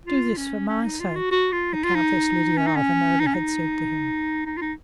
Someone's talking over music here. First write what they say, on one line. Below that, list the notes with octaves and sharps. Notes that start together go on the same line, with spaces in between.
"Do this for my sake," the Countess Lidia Ivanovna had said to him.
F4
C#4
C#4
D#4
F4
F#4
F#4
F4
D#4
F4
D#4
C#4
D#4
C#4
D#4
C#4
D#4
D#4
F4
D#4